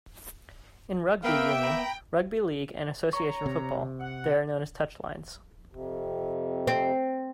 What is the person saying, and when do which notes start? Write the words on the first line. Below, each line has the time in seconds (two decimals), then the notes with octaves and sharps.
In rugby union, rugby league and association football, they are known as touch-lines.
1.24 A#3 B3 A#4 E5 F5 G5 B5
1.63 A#5 B5
3.13 C#5 A#5 C#6
3.46 C3
4.00 F#5
5.72 F2 C3
6.67 C4